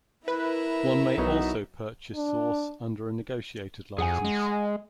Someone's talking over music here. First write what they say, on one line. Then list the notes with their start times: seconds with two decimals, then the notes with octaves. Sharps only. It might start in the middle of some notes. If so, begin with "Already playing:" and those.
One may also purchase source under a negotiated license.
0.28 E4 A#4 B4 E5
1.17 B1 F#3 B3 D#4
2.15 D4
3.98 F2 G#4 F#5 G#5
4.24 G#3